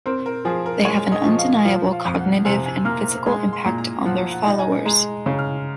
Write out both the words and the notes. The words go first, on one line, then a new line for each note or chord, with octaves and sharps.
They have an undeniable cognitive and physical impact on their followers.
C4 A#4
A#4
F3 G#4
A#4
G#3 C#5
D#5
F3 D#5
F5
F3 F5
F5
F2
F#5
C3 G#5
G#5
A#3 F6
G#3 C6
C6
A#2
A#5
F3 F#5
F#5
D#4
G#5
G#3 A#5
C#3
F6